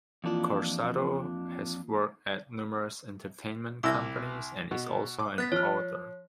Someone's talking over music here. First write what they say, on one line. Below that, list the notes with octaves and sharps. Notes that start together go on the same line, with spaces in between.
Corsaro has worked at numerous entertainment companies and is also an author.
F2 E3 A#3 D4 F4
C2 E4 D6 E6 A#6
B2
D6
B3 F#6 A6 B6
F3 C#5 F6